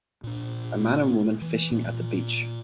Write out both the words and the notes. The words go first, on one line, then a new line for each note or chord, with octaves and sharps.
A man and woman fishing at the beach.
A#2 D4
E3
A#2